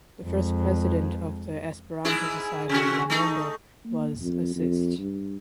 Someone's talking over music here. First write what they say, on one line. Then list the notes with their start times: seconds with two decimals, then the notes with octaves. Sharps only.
The first president of the "Esperanto society "La Mondo"" was Assist.
0.24 F2 G#3
2.05 G#2 E4 G#4
2.69 C3 F#4
3.10 A3 D#4
3.85 A#3
4.22 F2
4.56 F2
4.99 G2